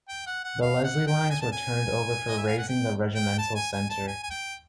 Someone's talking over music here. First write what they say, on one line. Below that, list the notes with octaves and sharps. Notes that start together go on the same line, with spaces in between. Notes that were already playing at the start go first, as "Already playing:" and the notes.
The Leslie lines were turned over for raising the Regimental Centre.
G5
F#5
F#5
F5
F#5
G5
G#5
A5
G#5
D#5
E5
F5
F#5
G5
G5
A5
G#5
G#5
A5
G#5
G#5
G5